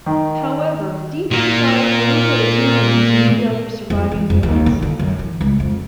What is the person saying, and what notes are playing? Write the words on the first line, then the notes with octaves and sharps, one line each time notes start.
However, deep inside Haruka is yearning to meet other surviving humans.
D#3
A#2 A#3
F2
E3
F2
D#2
D3
D3
F#2
E3
C#2
F2